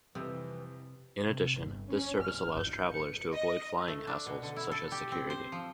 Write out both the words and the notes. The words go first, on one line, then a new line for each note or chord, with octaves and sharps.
In addition, this service allows travelers to avoid flying hassles such as security.
F2 C3 E3 G3
C3
G1
C#4
F6
G6
C#7
D#5
A3
D4
B2
D3
E4
A4
G4
C4
C5
F3